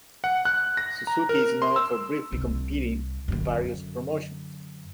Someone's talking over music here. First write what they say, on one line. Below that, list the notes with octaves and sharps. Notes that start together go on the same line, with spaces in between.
Suzuki is known for briefly competing in various promotions.
F#5
F#6
A#6
A#5
A#4
C6
E6
C2
F#2 D3